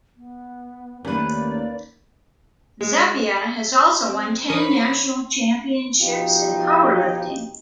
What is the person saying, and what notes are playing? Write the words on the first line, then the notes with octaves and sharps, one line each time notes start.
Zappia has also won ten National Championships in powerlifting.
B3
D#2 D#3 A3 A#3 C#4 B4 D5
G#3
C4
E3 A#4 C5 C#5 B5 D#6
B2 F3 D#4 F4 G4